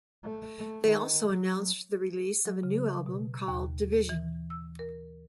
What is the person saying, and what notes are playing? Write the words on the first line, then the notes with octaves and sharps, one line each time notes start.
They also announced the release of a new album called "Division".
A3
A3
D#3
F#3
F#3
C#3
B2
D#2
E3
E6
A#4